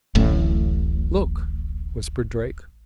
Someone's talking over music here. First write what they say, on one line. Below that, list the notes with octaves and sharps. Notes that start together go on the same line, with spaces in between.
"Look," whispered Drake.
D1 A1 A2